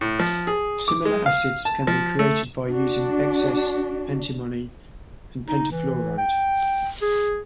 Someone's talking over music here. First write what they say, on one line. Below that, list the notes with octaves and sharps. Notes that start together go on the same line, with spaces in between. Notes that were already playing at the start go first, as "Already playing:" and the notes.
Similar acids can be created by using excess antimony pentafluoride.
A2
F3
G#4
D6
G#3
F5
A5
F3
A3
D4 F#4
D#4
E3
G5
G#4